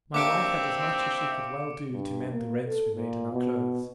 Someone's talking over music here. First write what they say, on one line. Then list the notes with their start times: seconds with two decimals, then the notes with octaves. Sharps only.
My wife had as much as she could well do to mend the rents we made in our clothes.
0.14 A#3 C4 D4 G4 E5 D6 C#7 D7
1.93 G2
2.31 A#3
2.65 A4
2.95 A#2
3.32 B2